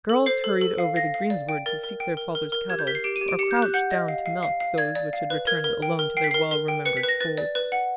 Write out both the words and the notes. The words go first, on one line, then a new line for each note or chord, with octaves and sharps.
Girls hurried over the greensward to seek their fathers' cattle, or crouched down to milk those which had returned alone to their well-remembered folds.
A4
C5 C7
A4
A4
F5
F5 A#6
F5
D5
G5
A#4 A6
A#4
G5
A#4
A#4
A#4
G4 G#6
G6
A#4 B6
C7
G4 D7
D#7
G4
D7
G4 C#7
G6
G4
F#6
F#5 G6
D#5
F5
F5
F5
F5
D5 G#6
D5
F5
B4
A#4 G#6
A#4
G5
A#4
G5 C7
B6
A#4 C7
A#4
G5
B4 C#7
B6
B4
A#6
B4 A6
D5
B4
F#5